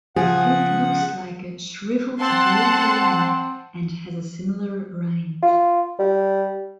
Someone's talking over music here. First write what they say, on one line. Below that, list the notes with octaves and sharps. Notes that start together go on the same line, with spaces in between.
The fruit looks like a shriveled droopy lemon, and has a similar rind.
C#3 F3 G#4 F#5
C4 F#5 A5 C6
F4
G3